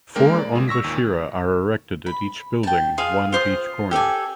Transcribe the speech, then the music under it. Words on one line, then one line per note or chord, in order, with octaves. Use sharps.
Four "onbashira" are erected at each building, one at each corner.
G#3 A#3 D4 A#4 G5
D5
G1 G#3
C#6 E6 A#6 B6
D#2 A#2
B5
G5 A5
F4 G#4 F5
F4 C5 D#6
G4 A4 D5 G#5